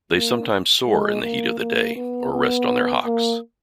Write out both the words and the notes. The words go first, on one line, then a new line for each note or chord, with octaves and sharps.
They sometimes soar in the heat of the day or rest on their hocks.
A#3
G#3
A#3
A#3
B3
B3
A#3